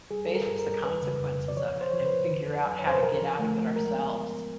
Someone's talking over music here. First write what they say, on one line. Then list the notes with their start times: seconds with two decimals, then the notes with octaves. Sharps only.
face the consequences of it and figure out how to get out of it ourselves.
0.11 G3 G#4
0.25 G3 A4
0.35 A#4
0.47 G2
0.59 A#4
0.66 G3
0.84 F2 B4
1.02 C#3
1.20 F2
1.39 F2
1.48 D5
1.57 F3 C#5
1.75 F3
1.81 C5
1.91 F3 C#5
1.99 C5
2.05 B4
2.11 A2
2.30 D3
2.48 F2
2.67 F#3
2.79 C#5
2.85 F2 C5
2.95 B4
3.03 F3 A#4
3.22 F3
3.39 A3
3.58 F3
3.76 G#3 A#4
3.95 B3